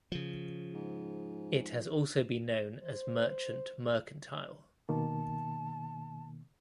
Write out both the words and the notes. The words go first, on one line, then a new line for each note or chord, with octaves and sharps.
It has also been known as Merchant Mercantile.
C#3 F3
G#2
C5
B2 D#3 A#3 A5